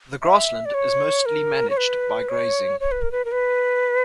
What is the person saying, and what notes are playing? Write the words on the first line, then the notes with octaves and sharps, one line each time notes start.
The grassland is mostly managed by grazing.
E5
D5
C#5
A#4
C#5
B4
C#5
C#5
B4
A#4
B4
A#4
B4